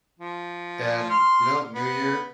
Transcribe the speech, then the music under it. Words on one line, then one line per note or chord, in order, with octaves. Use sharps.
And, you know, new year,
F3
C6 F6
B3